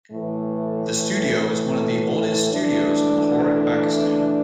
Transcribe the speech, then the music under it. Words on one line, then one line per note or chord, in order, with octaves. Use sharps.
The studio is one of the oldest studios in Lahore, Pakistan.
A2 E3 A3
E3 A3 D4